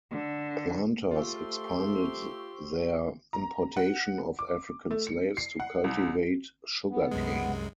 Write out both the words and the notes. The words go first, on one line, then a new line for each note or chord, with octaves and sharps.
Planters expanded their importation of African slaves to cultivate sugar cane.
D3
A3 F4 G4 C5 C6 C#6 E6
A#5
F#5
D6
A3
C#7
C7
F#5
C2
B3
C2 F#2 G#3